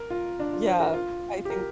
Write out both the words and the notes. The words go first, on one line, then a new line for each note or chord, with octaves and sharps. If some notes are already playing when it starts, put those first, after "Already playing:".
yeah, I think
Already playing: A#4
F4
D4
F4
C5
A#4
F4
G4
A#4